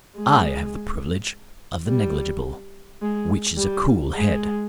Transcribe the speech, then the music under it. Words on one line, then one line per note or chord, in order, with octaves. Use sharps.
I have the privilege of the negligible--which is a cool head.
G#3
G3
G#3
G3
G#3